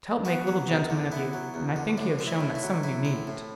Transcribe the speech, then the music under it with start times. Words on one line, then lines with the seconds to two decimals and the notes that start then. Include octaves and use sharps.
"To help make little gentlemen of you, and I think you have shown that some of you need it."
0.25 B3 F#4
0.47 F#3
0.68 E2
0.90 D3
1.12 B3 E4
1.33 F#3
1.54 E2
1.76 D3
1.97 A2 D4
2.19 C4
2.27 E4
2.41 A2
2.55 E4
2.62 F#3
2.84 A2 E4
3.05 C4
3.27 A2